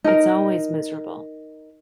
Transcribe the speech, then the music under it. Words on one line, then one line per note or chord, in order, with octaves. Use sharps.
It's always miserable.
D#4 A#4